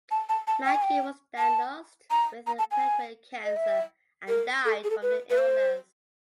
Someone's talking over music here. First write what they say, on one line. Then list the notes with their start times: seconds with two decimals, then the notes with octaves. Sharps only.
Mackie was diagnosed with pancreatic cancer and died from the illness.
0.11 A5
0.29 A5
0.47 A5
0.66 G5
0.75 G#5
0.83 G5
1.38 A5
2.11 A#5
2.47 A#5
2.59 A5
2.72 G#5
3.45 D#5
3.57 E5
4.28 A#4
4.65 A4
4.84 G#4
4.90 A4
5.02 B4
5.30 B4
5.38 C5